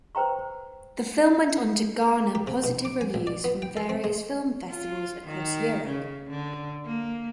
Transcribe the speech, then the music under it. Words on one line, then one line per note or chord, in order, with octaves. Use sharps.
The film went on to garner positive reviews from various film festivals across Europe.
B4 C5 G5 A#5 C#6
G4
C3
B2
D6
G#5
A1
D5
B3
G5
A4
C4
G#3
F4
D#3
C#3
D3
A#3